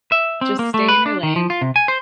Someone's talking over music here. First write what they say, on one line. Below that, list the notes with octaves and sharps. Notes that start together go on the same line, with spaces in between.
just stay in your lane
E5
C4
A#3
A3
B4
D4
D#3
F3
F4
C3
G#5
C5